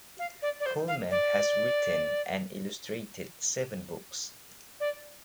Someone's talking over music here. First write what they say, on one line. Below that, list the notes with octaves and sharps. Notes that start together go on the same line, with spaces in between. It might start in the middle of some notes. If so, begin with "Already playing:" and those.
Coleman has written and illustrated seven books.
F5
D5
D5
C5
F5
D5
D5